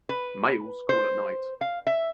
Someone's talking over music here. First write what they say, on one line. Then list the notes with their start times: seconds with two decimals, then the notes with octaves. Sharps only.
Males call at night.
0.09 B4
0.89 C5
1.61 F5
1.87 E5